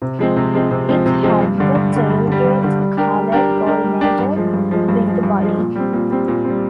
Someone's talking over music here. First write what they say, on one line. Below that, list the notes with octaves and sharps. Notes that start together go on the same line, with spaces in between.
It had the tailgate colour coordinated with the body.
C3
F3 G#3 C4
C3
F3 G#3 C4
C3
F3 G#3 C4
C3
F3 G#3 C4
G2
D3 G3
G2
D3 G3
G2
D3 G3
G2
D3 G3
G3
D4 G4 A#4
G3
D4 G4 A#4
G3
D4 G4 A#4
G3
D4 G4 A#4
G2
F3 G#3
G2
F3 G#3
G2
F3 G#3
G2
F3 G#3
A#2
G3 C4
A#2
G3 C4
A#2
C4
G3